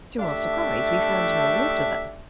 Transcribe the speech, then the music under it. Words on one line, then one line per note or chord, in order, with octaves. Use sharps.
To our surprise, we found no water there.
A3 D4 G4 E5